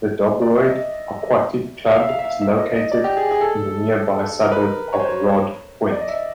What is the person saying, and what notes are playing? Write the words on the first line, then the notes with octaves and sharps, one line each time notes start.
The Dobroyd Aquatic Club is located in the nearby suburb of Rodd Point.
D5
E5
D#5
F5
E5
F5
E5
F5
E5
D#5
D#5
D5
G4
G#4
G#4
A4
A#4
B4
A#4
C#5
C5
C#5
D5
D#5
E5